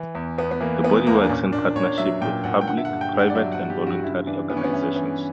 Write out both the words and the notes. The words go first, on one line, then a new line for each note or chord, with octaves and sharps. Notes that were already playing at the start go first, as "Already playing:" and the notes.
The body works in partnership with public, private and voluntary organisations.
Already playing: E3
E2
E2 B3
B3
E3 A#3
E3 B3
E2 A#3
D4
A#2 C#4
A#2 D4
A#2 C#5
F#3 E5
A#2 G5
A#2 F#5
G5
D3 F#5
E5
F#5
G2
G5
G2
F#5
D5
F#3 E5
F#5
F#3
G4
G2
F#4
C#3 E4
E3 D4
E3 B3
C#4
B3
E3 C#4
E3